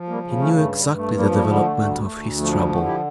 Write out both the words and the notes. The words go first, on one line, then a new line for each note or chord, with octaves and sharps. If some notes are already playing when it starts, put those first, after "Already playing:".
He knew exactly the development of his trouble.
Already playing: F3
G3 A#3
C#3
A3 C#4
G2 A3
G3
G2
A3
F3 G3 A#3
G3 A#3
A3
D3 G3
A3
D2 A3
G3
A3
D2
F3 A3
G3
D3 A3
E4 G4